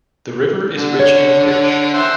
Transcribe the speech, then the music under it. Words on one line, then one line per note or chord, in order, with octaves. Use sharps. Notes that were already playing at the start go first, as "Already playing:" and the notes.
The river is rich in fish.
D3
C#5
C5 E5 F#5